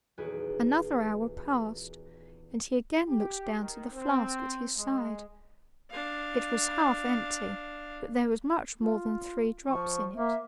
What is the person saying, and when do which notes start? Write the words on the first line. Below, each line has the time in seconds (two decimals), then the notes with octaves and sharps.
Another hour passed, and he again looked down to the flask at his side; it was half empty, but there was much more than three drops in it.
0.17 D#1 E2 F#4 G#4 B4 D7
3.09 G4
3.59 D#3
3.93 C4
4.77 G#3
5.91 D4 F5
8.80 F4
9.69 F3 C#6
10.15 A#3 E5